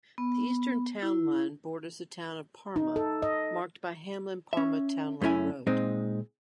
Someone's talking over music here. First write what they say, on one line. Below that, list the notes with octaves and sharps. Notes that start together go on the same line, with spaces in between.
The eastern town line borders the town of Parma, marked by Hamlin-Parma Townline Road.
B3
E4
D#4
A4
D#5
C#4 E5
F#2 A3 C#4 E4 G#5
A#2 G#3 C4 D#4